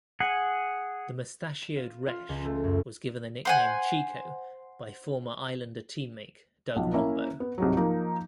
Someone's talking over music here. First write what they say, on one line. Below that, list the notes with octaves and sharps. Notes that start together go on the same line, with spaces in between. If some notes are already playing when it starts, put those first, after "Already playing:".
The mustachioed Resch was given the nickname "Chico" by former Islander teammate Doug Rombough.
G#4 F#5 G#5
E7
F4
F4
C#2
A3
F#2
C5 F#5 G#5
B1 F3
A#3 C#4 E4 E5
B3
C2 G#2 F#3
F3 A#3 D#4